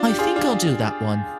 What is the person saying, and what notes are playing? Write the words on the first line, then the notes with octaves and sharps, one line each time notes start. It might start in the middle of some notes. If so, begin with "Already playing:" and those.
I think I'll do that one.
Already playing: D4 F4
G4
F4 G#4
D4 F4